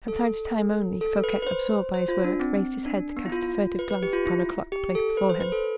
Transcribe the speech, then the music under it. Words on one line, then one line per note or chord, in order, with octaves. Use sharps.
From time to time, only, Fouquet, absorbed by his work, raised his head to cast a furtive glance upon a clock placed before him.
A4
A4
B4
B4
C5
C5
F4
D4
C4
D4
B3
E4
F4
B4
B4
G4
F4
E4
G4
A4
B4
C5
B4
A4